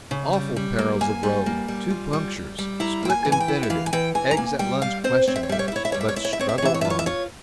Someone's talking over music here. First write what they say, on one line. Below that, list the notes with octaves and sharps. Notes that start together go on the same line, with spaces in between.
"Awful perils of road, two punctures, split infinitive, eggs at lunch questionable, but struggle on."
C#3
G3
G3
A#3
A#3 G#5
G3
A#3
G3
F4
G3
G3
G3
E4 A#5
A#3 G5
G#5
E3
G#5
G5
E4
E5
E3 F5
G#5
E3 G5
E3 G#5
A#5
A#3 G#5
G3 G5
G3 F5
C4 C5
C4 C#5
E5
C#5
G3 E5
C#5
E5
E4 C#5
E5
G3 C#5
E5
C#5
E4 E5
C#5
E5
C4 C#5
E5
C#5
E3 E5
C#5
E5
F4
C#5
E5
F4 C#5